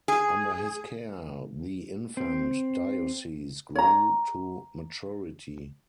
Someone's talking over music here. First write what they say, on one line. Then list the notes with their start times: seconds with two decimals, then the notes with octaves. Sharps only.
Under his care the infant diocese grew to maturity.
0.08 G#4
2.17 C4
3.75 C#5 A#5